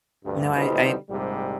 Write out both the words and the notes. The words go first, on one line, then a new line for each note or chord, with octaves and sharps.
No, I I
D2 G2
B2 D3 G3 D#4 E4 C5
A#1 G#2 C3 G3